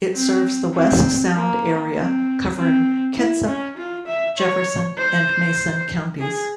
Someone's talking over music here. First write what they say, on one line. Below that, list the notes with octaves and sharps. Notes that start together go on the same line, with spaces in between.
It serves the West Sound area covering Kitsap, Jefferson, and Mason counties.
C4
C4
A#3
C4
C4
E4
C#4
F4
E5
C#5
C5
G#4